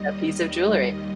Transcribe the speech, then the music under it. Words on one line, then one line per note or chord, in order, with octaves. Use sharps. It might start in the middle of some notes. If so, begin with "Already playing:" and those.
that piece of jewelry."
Already playing: D#2 D#3 G3 D#5
D#2 D#3 G3 D#5